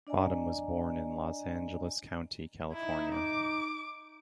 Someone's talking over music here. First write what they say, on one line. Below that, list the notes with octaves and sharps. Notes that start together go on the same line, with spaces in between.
Bottum was born in Los Angeles County, California.
D4 D5 D#5 G#5 A#5
D#4 E4
D6